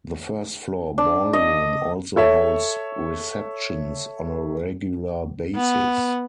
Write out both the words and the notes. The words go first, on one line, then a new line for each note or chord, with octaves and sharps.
The first floor ballroom also holds receptions on a regular basis.
D4
D#5
A4 C#5 E5
B3